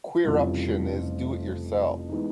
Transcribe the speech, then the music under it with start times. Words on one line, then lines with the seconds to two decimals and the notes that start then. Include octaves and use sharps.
Queeruption is Do-it-Yourself!
0.24 F1 F2 C#3 E3 G3 F4
2.09 E3 G#3 B3 D#4